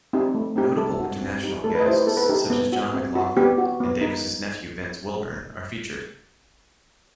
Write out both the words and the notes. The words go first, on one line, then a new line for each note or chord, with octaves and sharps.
Notable international guests such as John McLaughlin and Davis' nephew Vince Wilburn are featured.
C4 D#4 G4
A3
C4 D#4 G4
G3 A4
C4 D#4 F#4
C4
D#4 G4
A3 A4
B4
D#5
E4 G4 C5
B4
B3 A4
B4
D#4 G4 A4
B3
F#4
C4
F#4
B3 G4
F#4
B3
D#4